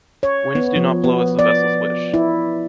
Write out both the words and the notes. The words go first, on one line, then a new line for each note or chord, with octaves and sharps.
Winds do not blow as the vessels wish.
C#5
B3
F3
B3
D5
E4